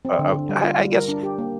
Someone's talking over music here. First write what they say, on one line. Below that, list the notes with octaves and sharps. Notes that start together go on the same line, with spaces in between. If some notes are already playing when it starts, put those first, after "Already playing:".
uh, I I guess
C4
D3
D3
G3
F4
G3
A#4
D4
G4
A#3